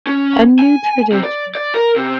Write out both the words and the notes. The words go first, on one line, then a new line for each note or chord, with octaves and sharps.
a new tradition.
C#4
G#5
C3
D5
D5
A#4
C3